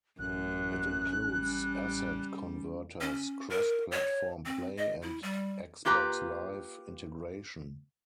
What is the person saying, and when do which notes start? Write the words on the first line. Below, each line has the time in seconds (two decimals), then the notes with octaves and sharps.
It includes asset converters, cross-platform play and Xbox Live integration.
0.19 A1 F#2 C#4 F#6
1.32 G3
3.01 C#4
3.50 A#4
3.92 C#5
4.45 C4
4.78 D#5
5.02 E4
5.23 G3
5.85 A#3 F4 G4 B4 A#5